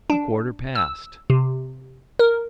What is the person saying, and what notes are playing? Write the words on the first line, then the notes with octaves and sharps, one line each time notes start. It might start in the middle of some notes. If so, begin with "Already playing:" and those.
A quarter past.
D4
E6
C3
A#4